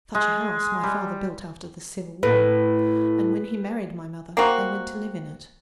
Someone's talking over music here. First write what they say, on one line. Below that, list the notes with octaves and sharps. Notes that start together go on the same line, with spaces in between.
Such a house my father built after the Civil War, and when he married my mother they went to live in it.
G#3
G3
A2 B4
A#3 C4 F#4